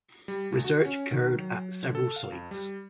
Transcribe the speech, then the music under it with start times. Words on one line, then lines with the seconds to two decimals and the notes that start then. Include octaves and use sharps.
Research occurred at several sites.
0.28 G3
0.52 D2
0.64 F#4
0.85 C#4
1.11 D#3
1.38 F#3
1.83 D3
1.95 A4
2.16 F5
2.32 F2
2.51 G3